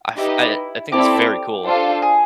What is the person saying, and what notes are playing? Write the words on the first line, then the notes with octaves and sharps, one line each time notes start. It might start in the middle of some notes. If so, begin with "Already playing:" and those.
I f I, uh I think it's very cool.
D#4 E4 G4 B4 D#5
C4 E4 G4 A4 D5
D4 F4 A4 C5 F5
G#4